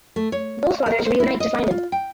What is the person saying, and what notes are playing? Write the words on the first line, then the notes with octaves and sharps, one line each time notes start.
Both fathers reunite to find him.
A3
C#5
A#4
C5
E4
D#5
F4
G5